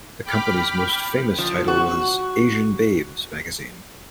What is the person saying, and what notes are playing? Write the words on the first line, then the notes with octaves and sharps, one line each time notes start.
The company's most famous title was "Asian Babes" magazine.
G5 B5 D6 F6 B6
F3
F#4